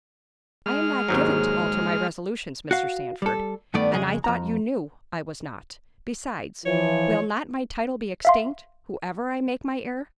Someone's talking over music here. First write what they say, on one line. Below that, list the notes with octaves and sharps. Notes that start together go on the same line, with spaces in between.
I am not given to alter my resolutions, Mr. Sandford; and I thought you knew I was not; besides, will not my title be extinct, whoever I make my heir?
G#3 F6
D#2 G#2 F#3
F#4 F5
G3 A4
G2 D#3 A3 B3 D5
F2 C#3 G#3 G#4
F2 A#5
E3 F3 C#5
E5 F5 C6